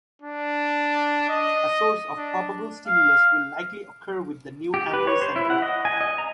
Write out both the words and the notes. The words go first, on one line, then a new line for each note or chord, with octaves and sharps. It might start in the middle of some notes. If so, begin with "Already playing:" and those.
A source of probable stimulus will likely occur with the new Amway Center.
D4
D#5
D4
F5
G4
B4
C#5
C5
E4
F#5
D#5
G#5
D#5
A#5